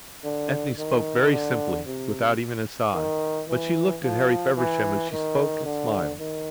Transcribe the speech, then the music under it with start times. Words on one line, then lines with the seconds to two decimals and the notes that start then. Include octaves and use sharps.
Ethne spoke very simply, without even a sigh, but she looked at Harry Feversham as she spoke and smiled.
0.24 D3
0.78 D#3
1.32 D3
1.86 C3
2.94 D#3
3.48 E3
4.03 F3
4.57 E3
5.11 D#3
5.65 D3
6.19 D#3